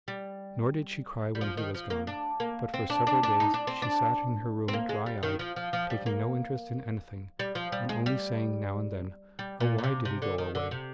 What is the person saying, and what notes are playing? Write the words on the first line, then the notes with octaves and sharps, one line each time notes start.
Nor did she cry when he was gone; but for several days she sat in her room dry-eyed, taking no interest in anything and only saying now and then, "Oh, why did he go away?"
G3
G3
F3
D#3
F3
A#3
D4
A#3
C4
D4
D4
D4
D#4
D4
C4
D4
C4
A#3
G#3
G3
D#3
F3
F3
F3
G3
A#3
G3
F3
G3
G#3
G3
G3
A#2
A#2
C3
C3
D3
D#3
D3
C3